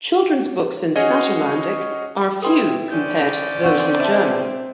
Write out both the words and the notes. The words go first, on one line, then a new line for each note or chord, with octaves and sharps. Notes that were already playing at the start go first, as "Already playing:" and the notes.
Children's books in Saterlandic are few compared to those in German.
C#4 F#4 G#4 C#5 D#5
E4 A4 B4 G5 C6 D#6
C#4 C5 D5
C4 F5 F#5 C#6
E5 A5